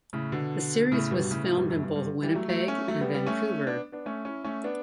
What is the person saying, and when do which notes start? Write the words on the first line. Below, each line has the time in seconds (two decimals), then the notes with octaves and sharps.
The series was filmed in both Winnipeg and Vancouver.
0.13 A2 C#3
0.32 B2 D3
0.92 A2 C#3
1.11 G2 B2
1.31 A2 C#3
1.44 A2 C#3
1.56 G2 B2
1.70 F#2 A2
1.83 G2
1.96 G2
2.22 E3 G3
2.35 F#3 A3
2.48 F#3 A3
2.68 A3 C#4
2.88 F#3 A3
3.01 G3 B3
3.14 G3 B3
3.26 A3 C#4
3.67 B3 D4
3.92 B3 D4
4.06 A3 C#4
4.25 C#4 E4
4.44 A3 C#4
4.64 B3 D4